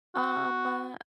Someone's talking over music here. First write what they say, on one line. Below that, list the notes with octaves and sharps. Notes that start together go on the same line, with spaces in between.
Um, uh,
F#4